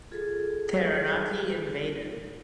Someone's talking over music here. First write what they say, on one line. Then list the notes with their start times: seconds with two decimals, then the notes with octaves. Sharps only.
Taranaki invaded.
0.11 F4 G#4 A4